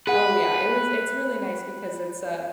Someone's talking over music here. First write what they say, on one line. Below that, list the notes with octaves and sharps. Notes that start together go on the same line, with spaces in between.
Oh, yeah. It was it's really nice because it's, uh,
G#4 B4 F#5